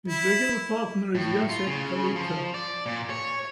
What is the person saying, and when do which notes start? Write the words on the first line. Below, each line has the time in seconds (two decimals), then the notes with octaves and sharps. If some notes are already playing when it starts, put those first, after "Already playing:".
His regular partner is Jacek Kalita.
0.08 E4
1.15 A2
1.49 F4
1.67 C#3
2.16 F3
2.54 D5
2.86 A#2
3.10 C#5